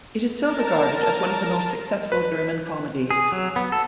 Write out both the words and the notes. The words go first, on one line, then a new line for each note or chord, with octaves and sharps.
It is still regarded as one of the most successful German comedies.
A#4 A5
B4
G#4
F#3
B3
A4